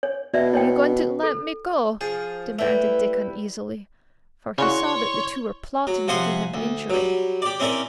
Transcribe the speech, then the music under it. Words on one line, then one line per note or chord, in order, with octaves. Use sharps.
"Are you going to let me go?" demanded Dick uneasily, for he saw that the two were plotting to do him injury.
C#5
B2 D5 E5
E4 C#5 G5
A4
F3 G#4
G3 A3 E4 B4
C#3 E4 F#4 C#5 D5 C6 C#6
F#3
C3 F3 F#5 G#5 C6
D2
F#3 G3
G4 D5
C4 C#4 E4 A#4 D5